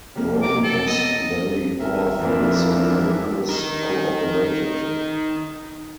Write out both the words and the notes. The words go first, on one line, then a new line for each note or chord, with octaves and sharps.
Rome was very powerful, so Malichus cooperated.
C3 F3 A#3
A5 A#5 D6
A4
B3 D#5
G#1 A#4 E5
F2 E3 F3 D4
D#4 A#4